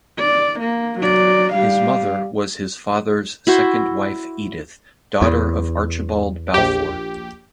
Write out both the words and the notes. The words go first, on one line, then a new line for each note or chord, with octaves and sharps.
His mother was his father's second wife Edith, daughter of Archibald Balfour.
D5
A#3
F#3 D5
G3 F5
E4 F#4 C5
E2
A#1 G4